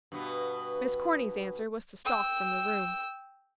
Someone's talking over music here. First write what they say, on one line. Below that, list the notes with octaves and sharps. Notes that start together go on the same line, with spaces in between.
Miss Corny's answer was to stalk from the room.
G2 B2 B3
G5 E6